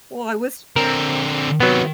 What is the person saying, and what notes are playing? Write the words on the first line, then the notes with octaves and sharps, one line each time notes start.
Well, I wish
D3 C4 A#4
C3 D#3 F#3 B3